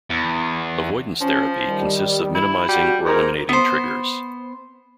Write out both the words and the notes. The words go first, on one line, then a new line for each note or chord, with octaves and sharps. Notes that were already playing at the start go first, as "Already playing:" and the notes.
Avoidance therapy consists of minimizing or eliminating triggers.
E2
F3 C#4
D#3 G3
E4
G3 F#4
G#2 A#4
B3 C5